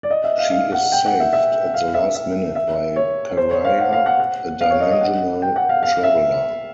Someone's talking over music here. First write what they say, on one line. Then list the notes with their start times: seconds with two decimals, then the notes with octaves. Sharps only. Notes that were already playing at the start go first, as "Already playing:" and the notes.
She is saved at the last minute by Pariah, a dimensional traveler.
0.03 D5
0.10 D#5
0.24 E5
0.38 F5
0.51 F5
0.72 F#5
0.92 G5
1.06 F#5
1.20 E5
1.33 E5
1.74 F5
1.94 E5
2.15 E5
2.55 E5
2.96 C#5
3.37 C5
3.51 C#5
3.65 F5
3.79 F#5
3.93 F5
4.06 F#5
4.20 F#5
4.61 F5
4.70 C#5
4.80 D#5
4.91 D#5
5.01 F#5
5.42 G5
5.56 F#5
5.69 F5
5.83 F5
6.03 E5